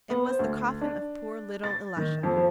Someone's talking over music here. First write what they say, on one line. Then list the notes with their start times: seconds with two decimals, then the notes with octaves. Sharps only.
It was the coffin of poor little Ilusha.
0.10 B3
0.26 C5
0.39 D2
0.81 D4
1.64 A6
1.97 D#3
2.23 F2
2.37 F3